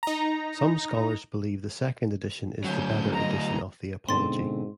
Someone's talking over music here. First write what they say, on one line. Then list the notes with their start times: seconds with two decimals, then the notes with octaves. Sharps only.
Some scholars believe the second edition is the better edition of the Apology.
0.03 D#4 A#5
2.64 D2 F#3 C#4 G6
3.13 D#5 A#5
4.09 G#2 B2 D3 C4 C6 A6